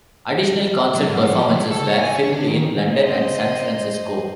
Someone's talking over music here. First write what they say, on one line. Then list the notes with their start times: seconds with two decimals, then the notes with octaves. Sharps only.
Additional concert performances were filmed in London and San Francisco.
0.95 F#3
1.08 G#2
1.34 F3
1.49 C#2
1.71 A4
1.87 C#5
2.01 G#5
2.14 C#5
2.33 D4
2.48 D#3
2.87 C5 D#5